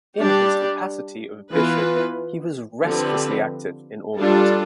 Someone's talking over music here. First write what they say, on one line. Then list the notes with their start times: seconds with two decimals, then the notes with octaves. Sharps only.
In his capacity of bishop he was restlessly active in organising.
0.19 G3 D4 G4 D5
1.52 E3 B3 F4 B4
2.85 D3 F3 C4 G4 B4
4.17 G3 D4 F4 A4